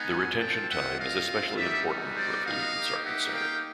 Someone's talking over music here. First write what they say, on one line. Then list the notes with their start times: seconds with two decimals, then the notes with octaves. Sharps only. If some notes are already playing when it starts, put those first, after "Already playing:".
The retention time is especially important where pollutants are concerned.
Already playing: G#3 B3 D#4 F#5 G#5
0.39 C4 F4 G5 A5
0.69 E5 F#5
0.98 D#5 F5
1.57 G3 B3 D#4 F#4 D5 E5
2.16 C5 D5
2.46 D#5 F5
2.75 A#3 D#4 G4
3.05 E5 F#5
3.34 F5 G5